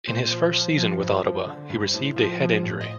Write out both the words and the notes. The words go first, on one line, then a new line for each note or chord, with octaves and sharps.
In his first season with Ottawa, he received a head injury.
A#2 C5
F3
F3
F3
G2
F3
D3
G2
A2
F3
F3
A2
D#5